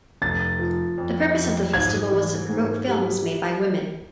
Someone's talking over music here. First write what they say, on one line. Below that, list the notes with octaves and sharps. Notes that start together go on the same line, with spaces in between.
The purpose of the festival was to promote films made by women.
F1 A6
F3
F2
F2
G#2 G#6
E3
G#2
G3